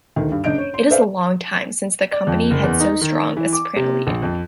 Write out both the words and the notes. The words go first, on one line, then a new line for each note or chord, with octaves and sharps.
It is a long time since the company had so strong a soprano lead.
D2 D#3
G2
F#1 D4 D#5 G6 D7
C#5
C6
A4 B4 C5 D5 E5 F5
D5
F2
F#1
E2
D#4
D#3
E3
D6
C3
A#1
F2